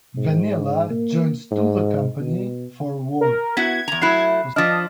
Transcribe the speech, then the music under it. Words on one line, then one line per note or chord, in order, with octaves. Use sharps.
Vennila joins to the company for work.
G#2
A#3
G#2
B2
A#4
B3 E4 F#4 G#6 B6
E2 A#5 F7
F#3 A3 E4 B5 F#6 C7
F3 D4 D#5 F6 A6 B6